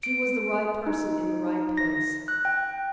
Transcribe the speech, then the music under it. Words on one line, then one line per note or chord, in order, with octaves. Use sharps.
She was the right person in the right place.
D7
D#4
A#6
F#6
G5